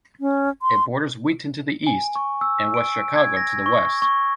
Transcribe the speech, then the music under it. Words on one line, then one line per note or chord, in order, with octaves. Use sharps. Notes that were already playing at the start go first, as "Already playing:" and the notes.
It borders Wheaton to the east and West Chicago to the west.
C#4
C6
G#5
C#6
E6
D7
G#6
A#6
C#6
C#6